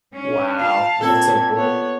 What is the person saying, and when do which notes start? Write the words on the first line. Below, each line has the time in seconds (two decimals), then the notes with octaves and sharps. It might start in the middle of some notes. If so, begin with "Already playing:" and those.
Wow. That's so cool.
0.12 C#4
0.59 A#2 F5 A5
1.01 A#2 C4 A4 G#6
1.57 B3 C#5